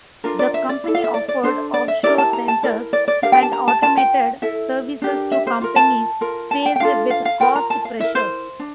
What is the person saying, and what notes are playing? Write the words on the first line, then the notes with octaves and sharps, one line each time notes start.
The company offered offshore centers and automated services to companies faced with cost pressures.
D4 F4 A#4
D5
E5
D5
E4 A4
F5
E5
D5
D5
D4 A4 C5
D5
E5
E4 G4 A#4 D5
A5
A#5
A5
E4 A#4 D5
D5
D5
D4 G4 A#4 F5
G5
A5
A#5
A5
F4 A#4 A5
G5
E4 A4 E5
D4 G4 A#4
E5
C5
F4 A#4
A5
F4 A#4
A5
G5
G5
D4 F4 A4 F5
F5
F5
F4 A#4 G5
A#5
A5
F5
E4 A#4 E5
C5
D4